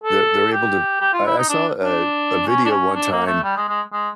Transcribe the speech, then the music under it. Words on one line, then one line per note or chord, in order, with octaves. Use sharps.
they're they're able to I I saw, a a video one time
A4
G4
G4
F4
E4
D#4
D4
D4
C#4
D4
C#4
D4
A#3
A3
G3
G#3
G#3
G#3